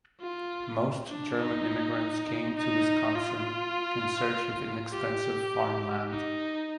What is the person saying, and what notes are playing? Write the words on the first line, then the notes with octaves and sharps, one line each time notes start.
Most German immigrants came to Wisconsin in search of inexpensive farmland.
F4
D4
D#4
D#4
F4
G4
D#4